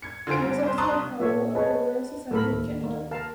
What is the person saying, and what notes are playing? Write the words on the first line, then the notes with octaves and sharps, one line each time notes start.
He was also a Fellow of the Royal Society of Canada.
G#6 C#7
D3 F4 C5 G#5 D7
G2
C2 C5
A5 A#5 C6 C#6 D#6 F#6
C2
A#2 A4 C#5 E5
G#4 B4 C#5 D#5 A5
A2 A4 A#4 B5
D#2
A#3
A#4 F5 A5